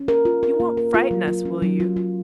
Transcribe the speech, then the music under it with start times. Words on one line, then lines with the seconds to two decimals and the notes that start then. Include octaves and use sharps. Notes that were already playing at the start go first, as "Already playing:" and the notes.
You won't frighten us, will you?
Already playing: C#4
0.08 A#4
0.25 F4
0.43 A#4
0.60 A#3
0.77 A#4
0.94 F4
1.11 F#3
1.28 F4
1.45 C#4
1.62 F#3
1.80 F4
1.96 F4